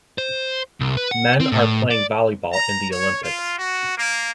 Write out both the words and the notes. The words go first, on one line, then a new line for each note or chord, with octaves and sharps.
Men are playing volleyball in the olympics.
C5
C2
B4
F#5
C4
A2
D5
A#5
C#5
F4
F#4
A#3